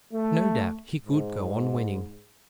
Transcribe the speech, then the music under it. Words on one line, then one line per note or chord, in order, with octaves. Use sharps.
No doubt he could go on winning.
A3
G#2